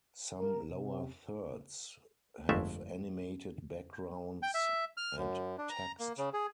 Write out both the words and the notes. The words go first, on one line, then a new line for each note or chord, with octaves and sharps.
Some lower thirds have animated backgrounds and text.
A#4
C3
G1 F2 G#3 A3 E5
G5
E5
F6
F#2
D4
A#5
A#3
C#3
G#4